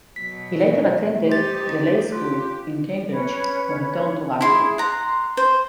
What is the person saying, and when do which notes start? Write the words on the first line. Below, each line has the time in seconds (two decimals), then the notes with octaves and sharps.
He later attended The Leys School in Cambridge, where he turned to rugby.
0.16 B2 F#3 B6
1.28 D#4 G4 C5 A6
2.12 F4 G4
3.10 C#4 B4 C#5
4.41 E4 G#4 C6
4.78 F#5 A#5 C6
5.37 C5